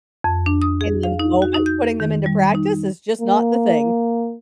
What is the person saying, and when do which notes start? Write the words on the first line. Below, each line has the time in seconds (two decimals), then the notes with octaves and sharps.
in the moment, putting them into practice is just not the thing.
0.24 F2
0.46 D4
0.62 D#6
0.81 G#4
1.03 F5
1.19 D#4
1.42 F#4
1.54 D#4
1.66 G6
2.00 D#3
2.26 G3
2.55 D#4
3.21 A#3